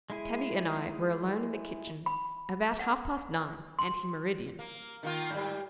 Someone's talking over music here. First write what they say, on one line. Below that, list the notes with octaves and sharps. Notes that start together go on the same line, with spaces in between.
Tabby and I were alone in the kitchen, about half-past nine ante-meridian.
G#3 E4 G#4
B5
F#5
C6
A#3
D#3 A#3 F4
G#2 G3